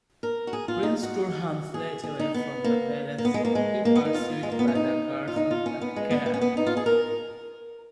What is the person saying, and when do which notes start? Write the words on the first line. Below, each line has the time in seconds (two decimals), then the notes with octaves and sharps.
Prince Turhan fled away from the palace, be pursued by the guards of Bakaar.
0.23 A#4
0.47 F#4
0.53 G#4
0.68 F4
0.83 D#4
1.03 F#4
1.74 G#4
2.03 G#4
2.19 D#4
2.34 B3
2.64 A#3
3.18 A#3
3.25 B3
3.34 G#3
3.45 A#3
3.55 G#3
3.85 A#3
3.95 B3
4.05 D#4
4.14 F4
4.43 G#3
4.52 A#3
4.59 B3
4.68 C#4
4.75 D#4
5.28 F4
5.36 D#4
5.51 F4
5.66 C#4
5.81 B3
5.96 G#3
6.11 B3
6.26 B3
6.34 C#4
6.41 B3
6.57 D#4
6.66 F4
6.77 G#4
6.86 A#4